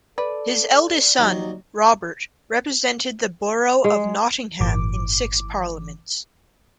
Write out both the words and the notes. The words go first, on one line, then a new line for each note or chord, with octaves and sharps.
His eldest son, Robert, represented the borough of Nottingham in six parliaments.
A4 B4 D5
D#2 F#3 D#4
G#3
G1 A2 E3 D6